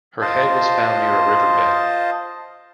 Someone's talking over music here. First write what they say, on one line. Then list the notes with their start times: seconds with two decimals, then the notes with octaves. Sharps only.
Her head was found near a riverbed.
0.22 F4 C5 D#5 A5